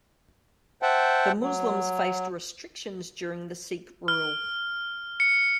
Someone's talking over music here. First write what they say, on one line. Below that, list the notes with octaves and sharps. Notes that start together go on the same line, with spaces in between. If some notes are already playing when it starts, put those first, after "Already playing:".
The Muslims faced restrictions during the Sikh rule.
C5 E5 F#5 G5 A5
F#3
F6
C#7